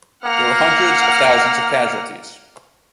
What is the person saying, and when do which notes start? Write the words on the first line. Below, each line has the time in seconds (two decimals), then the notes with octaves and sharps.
There were hundreds of thousands of casualties.
0.25 A#3 F#5 F6